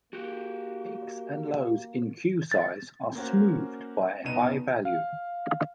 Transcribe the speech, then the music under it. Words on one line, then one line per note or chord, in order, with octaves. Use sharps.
Peaks and lows in queue size are smoothed by a high value.
A#3 F#4 G4
A6
A#3 C#4 F#4 C5
F1 B2 B3 D#4 D#7
F5